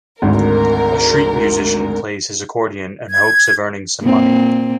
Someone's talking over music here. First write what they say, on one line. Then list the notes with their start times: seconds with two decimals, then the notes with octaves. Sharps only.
A street musician plays his accordion in hopes of earning some money.
0.22 G#1 D2 G#2 A#4
3.11 G#6
4.02 A#2 C4